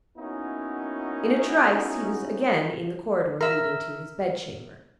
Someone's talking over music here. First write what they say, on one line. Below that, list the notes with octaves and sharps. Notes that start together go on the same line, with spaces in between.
In a trice he was again in the corridor leading to his bed-chamber.
A#3 B3 C#4 D#4 E4 F#4
A#4 E5